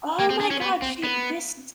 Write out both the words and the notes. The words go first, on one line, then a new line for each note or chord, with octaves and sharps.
Oh my god, she this is
A#3
C4
D4
C#4
B3
C4
B3